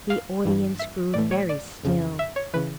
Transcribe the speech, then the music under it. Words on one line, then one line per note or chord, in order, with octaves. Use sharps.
The audience grew very still.
F5
G2 E3 G3
E5
A2 E3 A3 D5
C#5
D5
F2 C#3 F3
E5
C#5
C#3 E3 B4